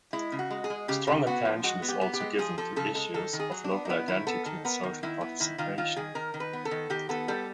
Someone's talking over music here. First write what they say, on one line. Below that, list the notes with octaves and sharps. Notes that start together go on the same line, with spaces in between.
Strong attention is also given to issues of local identity and social participation.
G#3 E4
C#3
F#4
G#3
G#4
G#3
C#3 G4
C#3 G4
B3 F#4
F3
G#3 F#4
B3
G4
B3
G4
G#3
F3 G#4
F3 A4
C#3 A4
G#3 A4
D#3 A4
D#3
G#4
F#3
D4
B3
D#4
B3 E4
D#3 E4
B3 A4
D#3 A4
B3 A#4
D#3
D#3 E4
B3
D#3 E4
D#3 F4
D#3 F4
D#3 G#4
D#3 A#4
D#3
B4
B3
A4
D#3
D#3 G4
B3 A4
G3 A4